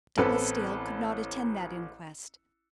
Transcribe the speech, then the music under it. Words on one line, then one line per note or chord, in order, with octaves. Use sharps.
Douglas Dale could not attend that inquest.
A1 B3 C4 A4 B4